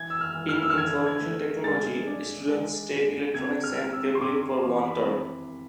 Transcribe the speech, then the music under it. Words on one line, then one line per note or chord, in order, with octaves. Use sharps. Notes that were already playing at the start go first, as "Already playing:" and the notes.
In information technology, students take Electronics and Cabling for one term.
Already playing: E3 G#6
E6
F6
E3
F6
E6
F6
D3 G#6
G#6
A3
G#3 A6
D4
G#3
D3
C3 G#6
F6
C3
E6
C6
C3 D6
C6
E3 C6
B5